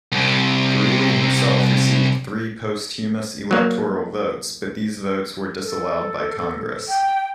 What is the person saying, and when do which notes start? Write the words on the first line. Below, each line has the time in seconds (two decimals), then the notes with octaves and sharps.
Greeley himself received three posthumous electoral votes, but these votes were disallowed by Congress.
0.12 C2 C3
3.51 F#3 A#3
5.61 A4
6.89 G5